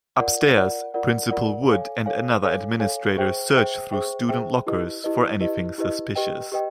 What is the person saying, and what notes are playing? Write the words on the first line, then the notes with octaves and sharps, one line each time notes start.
Upstairs, Principal Wood and another administrator search through student lockers for anything suspicious.
F4 A#4 D5 F#5
F4 A#4 D5 F#5
F4 A#4 D5 F#5
F4 A#4 D5 F#5
A4 C#5 F5 G#5
A4 C#5 F5 G#5
A4 C#5 F5 G#5
A4 C#5 F5 G#5
G#4 C5 E5 G5
G#4 C5 E5 G5
G#4 C5 E5 G5
G#4 C5 E5 G5
E4 G4 B4 D#5
E4 G4 B4 D#5
E4 G4 B4 D#5
E4 G4 B4 D#5
G4 B4 D#5 G5
G4 B4 D#5 G5